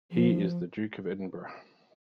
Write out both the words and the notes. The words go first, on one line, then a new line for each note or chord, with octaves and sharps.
He is the Duke of Edinburgh.
F3